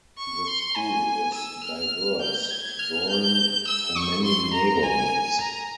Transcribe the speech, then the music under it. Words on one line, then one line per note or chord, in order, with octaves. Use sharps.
The school is diverse, drawing from many neighborhoods.
C#6
C6
G#5
E6
F6
G6
G#6
F6
G6
E6
C#6
C6
A#5
G#5
A#5